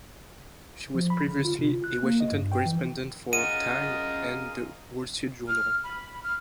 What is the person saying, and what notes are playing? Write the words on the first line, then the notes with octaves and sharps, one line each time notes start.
She was previously a Washington correspondent for "Time" and "The Wall Street Journal".
F3
B5
D3
F4
C3
F4
F#6
A#3
D#5
G2
G5
E3
C#4 F4 G#4 A#4 D#5 F#5 D#7
F6
B5
F6